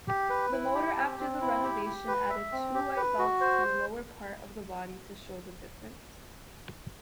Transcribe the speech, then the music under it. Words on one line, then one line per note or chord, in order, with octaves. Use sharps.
The motor after the renovation added two white belts to the lower part of the body to show the difference.
G4
B4
E4
G4
C4
C4
E4
G4
G4
B4
E5
C4
G4
B4
F#4
C5